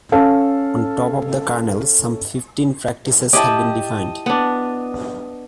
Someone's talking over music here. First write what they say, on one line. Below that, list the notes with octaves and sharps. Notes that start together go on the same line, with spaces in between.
On top of the kernel some fifteen practices have been defined.
C#4 A4 F5 A5
E4 G4 D#5 A5
B3 D4